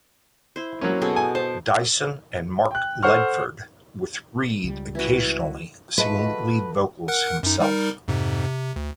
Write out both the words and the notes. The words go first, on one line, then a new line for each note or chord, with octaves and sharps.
Dyson and Mark Ledford, with Reid occasionally singing lead vocals himself.
E4 C5
F#3 A#3 C#4
B2 G#4 A4
G#5
C5 A5
G5 F#6
A4 C5 F#5 C#6 F6
C#2 G3
E3 E4 F#4
F3 G#3 A3 B4
F#4 A4
A#4 F#5 F#6
F#2 D#4
G3 D#4 A#4
F2 G#2 C3
C3
D2